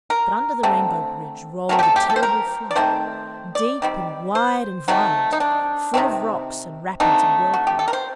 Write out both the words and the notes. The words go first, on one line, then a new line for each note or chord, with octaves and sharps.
But under the Rainbow Bridge rolled a terrible flood, deep and wide and violent, full of rocks and rapids and whirlpools.
A#4
D3 A3 C4
F#3 A3 C4 A#4
G4
A4
G4
A4
C5
A#4
D5
D#3 A3 C4 C5
D5
D#3 G3 C4
C5
D#3 F#3 A3 C4
D#4
D4
C3 D#3 A3 C4
D3 A3 C4 D#4
F#4
G4
A4
A#4
C5